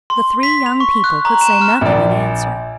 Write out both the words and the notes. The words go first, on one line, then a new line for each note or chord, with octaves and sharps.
The three young people could say nothing in answer.
C6
B6
F7
C#6
F#6
A#5
E7
F6
A#1 D5